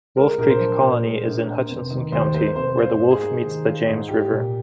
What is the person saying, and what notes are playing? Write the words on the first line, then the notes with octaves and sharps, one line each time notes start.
Wolf Creek Colony is in Hutchinson County, where the Wolf meets the James River.
G#3 A#4
A#1 A#4
C5
F3
A#2
G#3
A#1
A#3
F1
D#3
D#2 C5
A#3 C5
F1 C5
F4 C5
G#2
G#4
A#3
D#3
F4
G#2
F4 G4
A#2